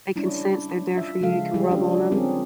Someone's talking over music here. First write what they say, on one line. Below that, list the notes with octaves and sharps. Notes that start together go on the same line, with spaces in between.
They can sense they're there for you; you can rub on 'em,
G3 C#4 D4 E4
F4 E5
C#3 F3 G#3 A4 F5
G3 G4 G#4
C#4 D4 F4 G#4
F3 G3 C4 C#4 G#4 A#4